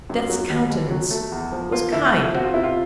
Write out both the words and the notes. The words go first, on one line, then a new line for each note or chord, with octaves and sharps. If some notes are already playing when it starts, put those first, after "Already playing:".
Death's countenance was kind.
F#2
F#3
D#2
D#2
F#3
A3
E2
F3
A#3 F4
D2 E4
F3 E4
C4 F#4
F4
C3 E4
F4